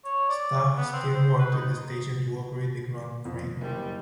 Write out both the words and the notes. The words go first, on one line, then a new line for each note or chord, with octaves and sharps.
Staff still worked at the station to operate the ground frame.
C#5
D5
B3
C4
C5
B4
D#4
F2
F#1 G3